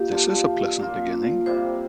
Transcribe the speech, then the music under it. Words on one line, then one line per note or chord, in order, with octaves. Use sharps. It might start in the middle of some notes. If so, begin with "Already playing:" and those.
This is a pleasant beginning.
Already playing: A#2 A#3 G4
D3 F3 D4 F4
A#2 A#3 F4
C3 G3 A#3 C5